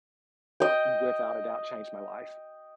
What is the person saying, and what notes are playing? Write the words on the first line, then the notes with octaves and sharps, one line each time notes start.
Without a doubt, changed my life.
D#5 G5